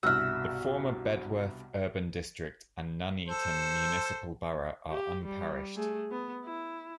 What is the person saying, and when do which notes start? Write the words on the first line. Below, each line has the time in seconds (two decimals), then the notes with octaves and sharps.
The former Bedworth Urban District and Nuneaton Municipal Borough are unparished.
0.03 C2 G2 B2 F#4 E5 E6 F6
3.28 A4 C5
4.91 G4
5.25 G3
5.76 A3 G#4
6.11 B3
6.44 E4